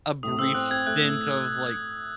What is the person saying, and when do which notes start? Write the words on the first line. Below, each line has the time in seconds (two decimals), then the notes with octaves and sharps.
a brief stint of, like,
0.23 A2 D#6
0.39 C4 E6
0.55 C4 F#6
0.70 C4 G#6
0.87 A3 F#6
1.02 A2